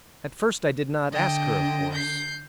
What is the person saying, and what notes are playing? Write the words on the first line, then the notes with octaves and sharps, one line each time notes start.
At first I did not ask her, of course.
D3 D#5 G5
G6 C7